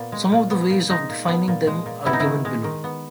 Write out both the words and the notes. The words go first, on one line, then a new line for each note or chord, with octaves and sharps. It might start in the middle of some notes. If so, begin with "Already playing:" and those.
Some of the ways of defining them are given below.
Already playing: A#2 B3
G#3
A#2
B3
A#2
G#3 D#4
A#2
B3
A#2
G#3
A#2
B3 E4
D#4
D#3 E4
G#3
D#3
B3